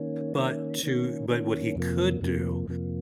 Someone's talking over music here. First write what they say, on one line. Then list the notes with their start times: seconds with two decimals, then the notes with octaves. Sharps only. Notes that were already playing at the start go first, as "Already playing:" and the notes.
But to but what he could do,
Already playing: D#3 A#3 C#4
0.37 D#3 A#3 C#4
0.83 D#3 A#3 C#4
1.30 D#3 A#3 C#4
1.76 F2 C3 F3 A#3
2.21 F2 C3 F3 A#3
2.68 F2 C3 F3 A#3